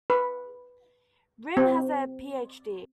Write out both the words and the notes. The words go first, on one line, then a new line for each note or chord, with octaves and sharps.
Rimm has a PhD.
B4
C4